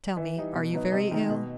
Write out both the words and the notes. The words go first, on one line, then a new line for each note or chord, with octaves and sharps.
"Tell me, are you very ill?"
E3 E5
G3 D#4
B2
F#3 B3 D#4
C3 D#5
D#3 A3 D#4
B2